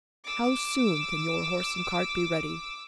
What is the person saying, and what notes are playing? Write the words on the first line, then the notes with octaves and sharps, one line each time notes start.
"How soon can your horse and cart be ready?"
D6 E6